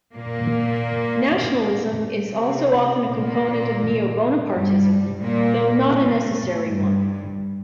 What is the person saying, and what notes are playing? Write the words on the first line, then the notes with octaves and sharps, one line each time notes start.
Nationalism is also often a component of neo-Bonapartism, though not a necessary one.
A#2 A#3
C3 C4
A#2 A#3
G2 G3
A#2 A#3
A2 A3
G2 G3